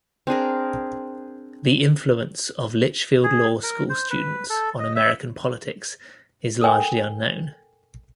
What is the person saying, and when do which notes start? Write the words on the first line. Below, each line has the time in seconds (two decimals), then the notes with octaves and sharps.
The influence of Litchfield Law School students on American politics is largely unknown.
0.27 C4 D4 G#4 A#4
3.23 G#4
3.63 A#4
3.89 C5
4.10 B4
4.50 A4
4.80 D#5
4.96 E5
6.61 A4 A#4 G5 G#5